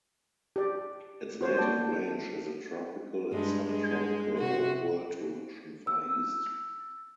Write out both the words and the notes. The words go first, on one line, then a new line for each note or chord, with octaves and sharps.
Its native range is the tropical and subtropical Old World to Russian Far East.
G4 D5
F#4 C5 C#5
A#3 D5 A5 G6
G2 G#3
G#3
C3 F#4
E6